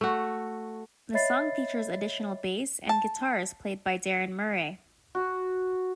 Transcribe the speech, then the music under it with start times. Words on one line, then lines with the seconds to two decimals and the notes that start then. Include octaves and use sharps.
The song features additional bass and guitars played by Darren Murray.
0.01 A3 F#4
1.14 C#5 D#5 E5 B5 A6 C7
2.89 A5
5.15 F#4